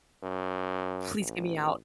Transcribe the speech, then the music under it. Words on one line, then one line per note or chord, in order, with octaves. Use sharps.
please get me out."
F#2
A1